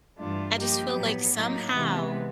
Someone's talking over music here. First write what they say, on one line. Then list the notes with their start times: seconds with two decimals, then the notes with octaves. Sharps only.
I just feel like somehow,
0.18 G2 E3 A3 D4 F4
0.57 F3 A#3 D#4 G4
0.97 A2 F#3 B3
1.36 A2 F#3 A#3 D#4
1.75 C3 E3 G#3 B3